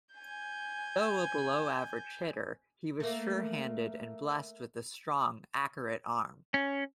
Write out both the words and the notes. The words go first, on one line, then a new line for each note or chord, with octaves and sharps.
Though a below-average hitter, he was sure-handed and blessed with a strong, accurate arm.
G#5 G6
A3 A#3
C#4